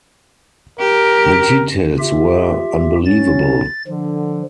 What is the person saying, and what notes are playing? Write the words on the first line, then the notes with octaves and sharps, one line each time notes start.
The details were unbelievable.
G4 A#4
F4 G4 E5
F#3 C#4 A6
D3 F3